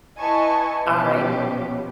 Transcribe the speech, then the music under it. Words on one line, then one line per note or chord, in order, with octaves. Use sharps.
All right.
E4 B4 D#5 G#5 A5 C#6
B2 F3 B3 C#4 G4